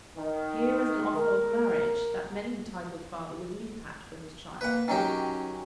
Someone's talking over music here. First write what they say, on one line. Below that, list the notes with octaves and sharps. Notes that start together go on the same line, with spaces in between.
Here is an offer of marriage, that many a titled father would leap at, for his child.
D#3
A#4
A#3 B4 F#5
D#3 F#3 C#4 G4